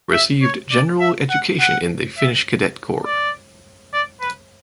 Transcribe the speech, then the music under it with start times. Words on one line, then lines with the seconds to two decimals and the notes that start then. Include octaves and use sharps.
Received general education in the Finnish Cadet Corps.
0.12 E5
0.42 C#5
0.72 D5
1.00 E5
1.30 F#5
1.60 F#5
2.18 E5
3.05 D5
3.93 D5
4.21 B4